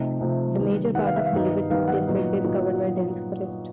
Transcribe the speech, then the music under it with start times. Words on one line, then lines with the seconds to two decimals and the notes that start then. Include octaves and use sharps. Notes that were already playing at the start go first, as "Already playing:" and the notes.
The major part of Pilibhit District is covered by dense forest.
Already playing: C3 F3 A3 C4 D#4
0.21 C3 F3 A3 C4 D#4
0.59 D#3 G3 B3
0.95 D#3 G3 B3 F#5
1.06 F5
1.16 E5
1.26 F5
1.32 G2 D#3 G3 B3 D#4
1.70 G2 D#3 G3 B3 D#4 F5
1.88 F#5
2.07 A#2 F#3 B3 D#4
2.44 A#2 F#3 B3 D#4